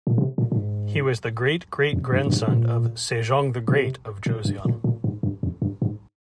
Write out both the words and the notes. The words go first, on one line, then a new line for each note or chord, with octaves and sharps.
He was the great-great-grandson of Sejong the Great of Joseon.
A#2
C3
A#2
A#2
G#2
F2
G2
G2
G#2
C3
A#2
C3
A#2
G2
A#2
A#2
G#2
G2
F2
G2
G#2